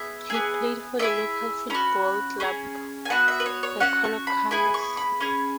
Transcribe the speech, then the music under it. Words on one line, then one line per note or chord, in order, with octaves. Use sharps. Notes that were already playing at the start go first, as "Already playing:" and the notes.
He played for the local football club the Colo Cougars.
Already playing: B3 G#4 E5
B3 G#4
B3 E4 G#4 E5
C#4 F#4 B5
C#4 G#4
G#5
B3 F#4 F#5
E5
B4
C#5
C#5
C#4 F#4 F#5
C#6
B5
B3 E4 G#4 B5
C#6
B5
C#4 G#4